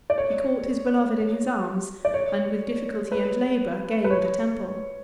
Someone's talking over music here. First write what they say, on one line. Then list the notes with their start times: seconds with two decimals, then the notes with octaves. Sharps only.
He caught his beloved in his arms, and with difficulty and labor gained the temple.
0.10 D5
0.18 C#5
2.05 D5
2.14 C#5
3.12 B4
4.04 B4
4.10 C#5